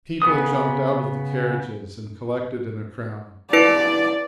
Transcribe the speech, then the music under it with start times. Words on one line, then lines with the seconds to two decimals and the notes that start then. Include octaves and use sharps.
People jumped out of the carriages and collected in a crowd.
0.22 C#3 B3 B4 D#6
3.53 E4 B4 D5 D7